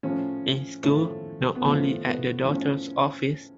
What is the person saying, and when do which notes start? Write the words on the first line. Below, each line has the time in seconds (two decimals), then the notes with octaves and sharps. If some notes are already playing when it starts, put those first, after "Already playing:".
In school, not only at the doctor's office.
0.03 A2 F3 C#4
0.84 A2 F3 A3
1.55 B3
1.65 A2 F3 A3
2.05 B3
2.45 A2 F3 C#4